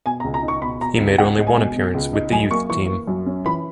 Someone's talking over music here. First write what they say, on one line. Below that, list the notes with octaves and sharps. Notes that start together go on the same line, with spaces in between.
He made only one appearance with the youth team.
B2 G#5
A#5
C#2
A#5
D#4
C#6
B2 B5
B2 A#5
C#2
G#3 F#5
G#3
G#5
B2
B2
C#2
D#4
F#2 G#5
A#3 C#6
E3 C#6
A#3
F#2
C#4
E3 B5